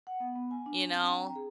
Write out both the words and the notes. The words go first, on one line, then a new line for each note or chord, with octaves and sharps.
you know?
F#5
B3
B3
G#5
D4
C4
G5
A#5
G#4